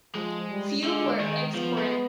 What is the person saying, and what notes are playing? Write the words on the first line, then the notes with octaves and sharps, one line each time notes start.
Few were exported.
F3 G#3
G3
D3 G#3
D#3 G#3
F3 B3
G#3